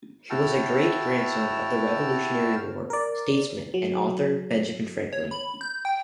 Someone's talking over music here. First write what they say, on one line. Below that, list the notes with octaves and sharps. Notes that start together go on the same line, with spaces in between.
He was a great-grandson of the Revolutionary War statesman and author, Benjamin Franklin.
E4 F#4 G5 A5 E6 F6
A#4 D5
F#3
C#5
B5
G6
G5